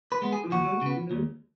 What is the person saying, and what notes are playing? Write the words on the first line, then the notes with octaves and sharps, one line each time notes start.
Mhm, mhm.
B4
G#3 B3
G#4
D#2 F#4
C#3 B3
D#2